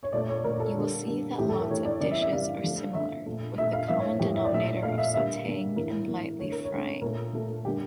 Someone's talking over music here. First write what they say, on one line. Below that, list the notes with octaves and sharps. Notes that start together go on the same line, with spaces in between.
You will see that lots of dishes are similar, with the common denominator of sautéing and lightly frying.
C#5
A#2 A3 D5
C#5
A#2 A3 A#4
A4
D3 G3 A#3
D3 G3 A#3
A2 E3 A3 G4
A4
A#4
A2 E3 A3 C#5
D5
C#3 E3 G3 A#3 D5
E5
E5
C#3 E3 G3 A#3 F5
D3 F3 A3
D3 F3 A3 E5
A#2 A3
A#2 A3 E5
F5
A2 F3 A#3 E5
C#5
A2 F3 A#3 G4
E5
D5
A#2 A3 E5
A#2 A3 F5
E5
D3 G3 A#3 E5
D3 G3 A#3
A2 E3 A#3 A#4
A2 E3 A#3
D3 A3 C#5
A#4
C#5
D3 A3
A#2 A3 A#4
A#2 A3
D3 G3 A#3 G4